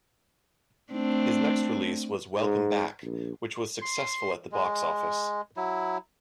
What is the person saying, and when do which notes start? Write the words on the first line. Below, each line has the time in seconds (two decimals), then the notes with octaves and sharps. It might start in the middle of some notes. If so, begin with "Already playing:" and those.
His next release was "Welcome Back", which was successful at the box office.
0.93 A3 C4 D4
2.38 G#2
3.02 A#1
3.82 C6
4.52 G#3
5.57 F#3 E4